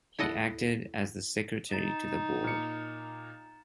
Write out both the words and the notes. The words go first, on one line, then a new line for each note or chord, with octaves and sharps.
He acted as the secretary to the board.
E4 A4 D#5 F#5
D#4 A#5 A6 E7
A#2 C#7